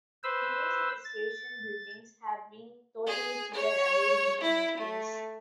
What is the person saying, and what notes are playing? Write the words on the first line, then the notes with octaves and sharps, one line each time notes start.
The remains of the station buildings have been totally cleared away leaving no trace.
B4 C5 E6
A6
G#4
C#5
E4
A3